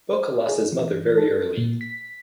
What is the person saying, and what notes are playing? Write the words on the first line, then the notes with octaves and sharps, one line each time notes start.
Boka lost his mother very early.
C5
G#4
E3
A4
A#2
B6